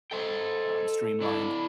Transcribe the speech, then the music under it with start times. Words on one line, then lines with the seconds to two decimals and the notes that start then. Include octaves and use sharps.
um, streamlined,
0.11 A4 C5 D#5 G5
1.21 D3 D4 E4